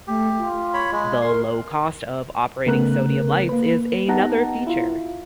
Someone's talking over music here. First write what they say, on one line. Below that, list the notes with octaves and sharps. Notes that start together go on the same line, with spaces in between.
The low cost of operating sodium lights is another feature.
A3 G4
F4
C#5 B5
G#3
A#4 C6
C#3 A3 B3 A#4 F#6
A#3 B4
B3 D#4 G4 F#5 A5 A#5
E4 F4